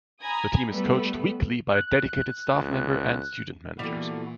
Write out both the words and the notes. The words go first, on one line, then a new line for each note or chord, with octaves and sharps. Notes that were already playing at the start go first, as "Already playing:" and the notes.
The team is coached weekly by a dedicated staff member and student managers.
G#5 A#5 B5 D#6 G#6
G3 A3 B3 B4
F#6
C#2
A#2 D3 E3 G3 A#3 B3 E4 F#4